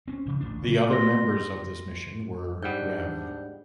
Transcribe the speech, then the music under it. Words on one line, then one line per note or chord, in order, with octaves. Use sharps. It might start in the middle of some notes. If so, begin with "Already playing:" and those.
The other members of this mission were Rev.
C4 C#4
D2 C#3 F3
A1 D2 D4
C#3 F#3 C4
C6 A#6
G#2 G3 D4 F#5 G6